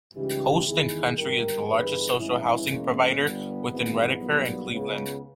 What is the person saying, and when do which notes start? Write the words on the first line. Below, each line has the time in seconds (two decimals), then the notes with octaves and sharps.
Coast and Country is the largest social housing provider within Redcar and Cleveland.
0.15 C#2 C#3 E3 G3 D#4 G4
0.65 E2 D#3 G#3 E4 G#4
1.15 G1 G2 D#3 G4 A#4
1.67 G1 G2 E3 G3 G#4 B4
2.16 G#1 G2 E3 G#3 C#4 E4
2.67 E2 B2 G#3 A#3 C#4
3.18 G1 G2 G3 B3
3.69 G#1 G#2 E3 G#3
4.19 B1 A#2 G3
4.69 C#2 C#3 G#3 B3